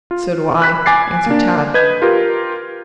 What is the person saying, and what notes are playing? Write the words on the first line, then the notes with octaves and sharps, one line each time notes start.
"So do I," answered Tad.
F4
B5 F#6 B6
G#5 D6 A6 C7
A#3 D4
B4 D#5 G6 G#6
F4 G4 A#4